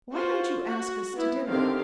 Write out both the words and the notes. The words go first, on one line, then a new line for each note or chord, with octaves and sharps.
Why don't you ask us to dinner?
F4 F#4 C5
F#4
B3 E4
D3 D#3 C4 G4 F5